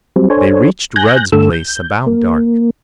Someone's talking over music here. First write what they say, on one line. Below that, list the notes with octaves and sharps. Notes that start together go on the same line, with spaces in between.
They reached Rudd's place about dark.
F#3 G3 C4
D4 A4 C5 C#5 G#5
G#5 F#6 G6 A#6
G2 D3 A3 A4 E6
G6
A#3